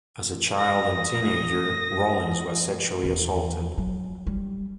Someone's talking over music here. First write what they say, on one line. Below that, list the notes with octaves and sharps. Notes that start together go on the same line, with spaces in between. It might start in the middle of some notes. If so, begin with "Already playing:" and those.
As a child and teenager, Rollins was sexually assaulted.
D#6 A#6
E2
F#3
G3